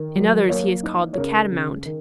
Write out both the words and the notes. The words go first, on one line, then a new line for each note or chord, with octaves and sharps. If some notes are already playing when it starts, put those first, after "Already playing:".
In others he is called the Catamount.
Already playing: D#3
F#3
A#3 C#5
D#4
C#5
C#3 A#4
C#3
D#3